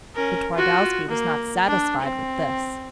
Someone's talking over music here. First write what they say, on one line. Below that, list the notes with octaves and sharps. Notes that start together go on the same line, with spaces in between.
But Twardowski was not satisfied with this.
C#4 A#4
F4 F#4
A#3
D4
C4